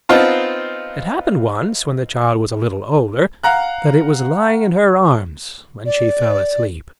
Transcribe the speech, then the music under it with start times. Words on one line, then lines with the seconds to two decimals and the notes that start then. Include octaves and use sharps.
It happened once when the child was a little older, that it was lying in her arms and she fell asleep.
0.09 B3 C4 D#4 F4 A5
3.43 F5 F#5 A#5 F#6
5.86 D5